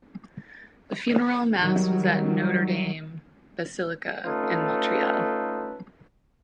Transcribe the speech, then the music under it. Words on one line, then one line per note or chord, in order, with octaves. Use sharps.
The funeral Mass was at Notre Dame Basilica in Montreal.
D#3 F#3 G3
A3 C#4 D#4 F4 A4 B4